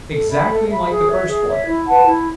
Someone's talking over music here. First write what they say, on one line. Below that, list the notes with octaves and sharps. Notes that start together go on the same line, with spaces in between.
Exactly like the first one.
A4
E5 B5
A4
E5 B5
G#4
C#5 E5
G#4
C#5 E5
E4
B4 F#5 A5
E4